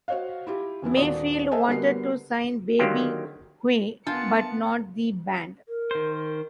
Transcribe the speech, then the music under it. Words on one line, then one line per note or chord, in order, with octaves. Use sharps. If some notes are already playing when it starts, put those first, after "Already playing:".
Mayfield wanted to sign Baby Huey, but not the band.
F#4 C5 C#5 D#5 F5
E4 F4 G4
E1 E3 B3 E4
D#1 D#3 F4 F#4 D5 D#6
A4 C5 D#5 E5 G#5 A5
D3 G3 B3 F#4 A#4 C7
D3 D#3 F#3 A#3 F4 G4
B3 D4 F4 A#4 G5 A5 C#7
A#4
D#3 C5